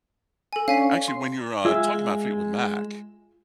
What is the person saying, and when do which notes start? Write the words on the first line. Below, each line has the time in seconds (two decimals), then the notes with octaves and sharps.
Actually, when you were, uh, talking about Fleetwood Mac,
0.53 A4 G#5
0.68 C#4 D4 C#5 F5 G#5 B6
1.08 C6
1.65 G#3 F4 G#4 E5 E6